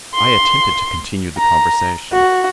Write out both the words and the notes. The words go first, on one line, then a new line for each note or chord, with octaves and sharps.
I attempted to continue the conversation.
C6
A#5
F#4